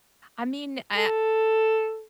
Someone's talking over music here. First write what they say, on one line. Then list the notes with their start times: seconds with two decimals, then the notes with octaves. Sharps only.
I mean, I
0.97 A4